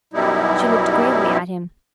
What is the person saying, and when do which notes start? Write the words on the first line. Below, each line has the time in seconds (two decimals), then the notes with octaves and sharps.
She looked gravely at him.
0.13 F#2 B2 G3 D#4 E4